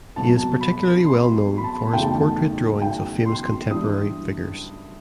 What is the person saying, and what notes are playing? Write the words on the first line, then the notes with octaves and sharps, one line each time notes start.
He is particularly well known for his portrait drawings of famous contemporary figures.
C2 B2 F#3 A5
B5
C6
B5
A5
F#1 E2 D#3 A3 D#4 G5
A5
G5
G5
C6
G2 E3 G3 D#6